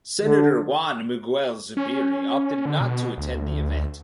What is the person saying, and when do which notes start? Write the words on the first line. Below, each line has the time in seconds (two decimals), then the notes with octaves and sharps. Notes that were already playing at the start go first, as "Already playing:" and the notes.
Senator Juan Miguel Zubiri opted not to attend the event.
0.24 D3
1.77 C#4
2.66 D3
2.80 B2
3.18 D2